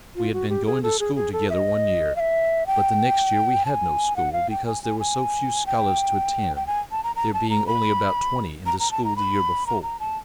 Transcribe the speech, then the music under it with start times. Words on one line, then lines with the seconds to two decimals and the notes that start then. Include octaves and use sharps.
We had been going to school together one year; but the next year we had no school, because there were so few scholars to attend, there being only about twenty in the school the year before.
0.16 F4
0.33 F#4
0.49 G4
0.66 G#4
0.83 A4
1.00 G#4
1.15 G#4
1.33 A4
1.50 E5
1.54 D#5
2.16 F5
2.20 E5
2.67 G5
3.66 A5
3.70 G#5
4.16 F#5
4.32 F5
4.50 G5
4.66 G#5
4.83 G#5
5.00 G#5
5.66 G5
6.56 G5
6.67 G#5
6.91 A5
7.04 A#5
7.16 A#5
7.34 A5
7.50 A#5
7.67 B5
8.66 A#5
8.80 A#5
8.91 A5
9.04 A#5
9.16 B5
9.67 A#5
9.83 A#5
10.00 A5